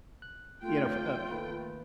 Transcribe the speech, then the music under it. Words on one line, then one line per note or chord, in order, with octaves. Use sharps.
you know, f uh
F#6
A3 F4 G5
D#3 A#3 B4